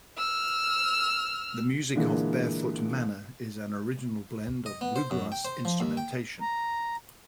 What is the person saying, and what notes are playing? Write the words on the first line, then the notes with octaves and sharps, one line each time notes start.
The music of Barefoot Manner is an original blend of bluegrass instrumentation.
E6 F6
A#2 D3 E3 G#3 A#3
D#5
B3
C5
F#2
G5
C5
F3
D#2
G5
A#5